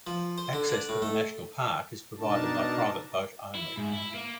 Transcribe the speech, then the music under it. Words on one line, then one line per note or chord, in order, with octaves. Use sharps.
Access to the national park is provided by private boat only.
F3
C5
D3
D4
A2
A3
B2 D4 D#4 A#4 A5
E4
G#2
E4
A#3